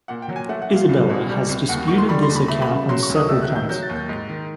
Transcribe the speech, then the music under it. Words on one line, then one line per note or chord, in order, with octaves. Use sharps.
Isabella has disputed this account on several points.
A#2 F#5
G5
F#3
G#5
A3 F#5
F#5
A#2
F5
C2
B2
G3
C2
D#2 F#5
D#3 C#6
C6
G3 B5
C6
D#2
B5
A3 B5
B5
C#3
F#3 C6
C#6
D2
D#6
A3 E6
F#6
D#3
G6
F#3 G6
A6
D#2
G6
G#2
D#3